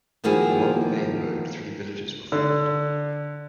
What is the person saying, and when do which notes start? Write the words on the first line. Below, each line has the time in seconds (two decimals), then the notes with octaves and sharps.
Along the main road three villages were formed.
0.24 D#3 F3 A#3 E4 F#4 G#4
2.32 D3